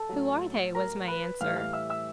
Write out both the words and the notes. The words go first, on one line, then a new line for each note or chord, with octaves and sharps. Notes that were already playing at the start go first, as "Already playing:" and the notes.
"Who are they?" was my answer.
Already playing: A4 A5
A2 F#3
A#4 A#5
B4 B5
A2 E3 G3 F5 F6
F5 F6
E5 E6
E5 E6